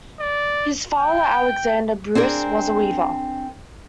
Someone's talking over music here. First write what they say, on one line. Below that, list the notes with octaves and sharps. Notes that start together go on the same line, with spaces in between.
His father, Alexander Bruce, was a weaver.
D5
G5
C4 D4 G#4 A#4